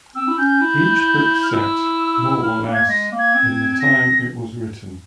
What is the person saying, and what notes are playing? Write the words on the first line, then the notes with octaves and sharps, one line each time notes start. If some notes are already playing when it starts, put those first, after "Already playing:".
Each book set, more or less, in the time it was written.
C4 E6
E4
C#4 G6
E4
F6
E4 E6
E4 F6
A#3
G#6
G#3 A#6
A#3
G#6
C4
A#6